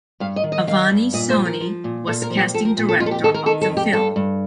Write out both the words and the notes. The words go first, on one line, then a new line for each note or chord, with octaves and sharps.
Avani Soni was casting director of the film.
G2 F5
D#5
D#3
D#5
D#3 F5
G2
A#2 D#5
C5
F3
A#4
F3
A#2
A#2 A4
A#4
F3
G4
F3 A4
A#4
A#2
A4
F2 F4
A4
G4
D#3 A4
A#4
D#3 A4
A4
F2
G4
G2 A4
G2